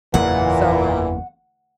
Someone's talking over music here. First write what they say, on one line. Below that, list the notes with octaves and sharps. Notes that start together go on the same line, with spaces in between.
So, um
F#1 E2 A#2 E3 A#3 F#5